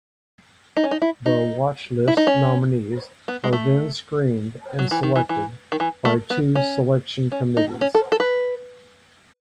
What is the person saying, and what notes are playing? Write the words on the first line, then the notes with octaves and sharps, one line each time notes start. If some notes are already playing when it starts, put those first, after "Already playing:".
All Watch List nominees are then screened and selected by two Selection Committees.
D#4
C#4
D#4
E4
D#4
E4
D#4
C#4
B3
G#3
A3
F#3
E3
D#3
E3
E3
D#3
E3
A3
B3
C#4
C#4
D#4
C#4
A4
A4
B4